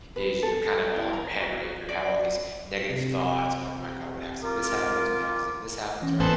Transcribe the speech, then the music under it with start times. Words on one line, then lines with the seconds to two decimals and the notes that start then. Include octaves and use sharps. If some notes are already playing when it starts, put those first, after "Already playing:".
is you're kind of all in your head, right? Your have all these negative thoughts, and you're like, "Oh my god, what happens if this happens? What happens if this happens," right?
0.16 B4
0.43 A4
0.96 E4
1.13 A#5
1.41 F#4
1.89 D5
2.89 C3
4.43 F4 A#4 D6
6.02 E3 C#4
6.20 A1 B3 A4 C5 G#5